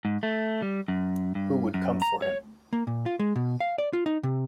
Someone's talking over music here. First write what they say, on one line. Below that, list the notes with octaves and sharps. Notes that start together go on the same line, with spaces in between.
Who would come for him?
G#2
A3
G3
F#2
G2
F#2
A#5
C#5
A#3
A#2
F4
G#3
B2
F5
D5
F4
D#4
C3